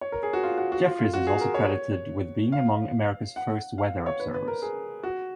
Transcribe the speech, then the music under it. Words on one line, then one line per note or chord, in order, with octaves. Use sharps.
Jeffries is also credited with being among America's first weather observers.
C#5
A#4
G#4
F#4
F4
F#4
F#4
F4
F4
F#4
G#4
A#4
C#5
F5
F#5
F5
C#5
B4
B4
A#4
G#4
F#4